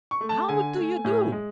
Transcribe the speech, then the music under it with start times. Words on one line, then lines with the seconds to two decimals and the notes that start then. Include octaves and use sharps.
"How do you do!"
0.11 C#6
0.21 A3
0.29 A5
0.49 D3 G#5
0.76 A3
1.05 A2
1.32 G#3